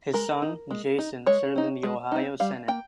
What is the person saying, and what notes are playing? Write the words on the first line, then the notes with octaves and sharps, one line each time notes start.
His son, Jason, served in the Ohio Senate.
G#3 A#4
D#4
G#3
D#4
G#3 C#5
C4 D#4
G#3
C4 D#4
G3 F5
A#3 G5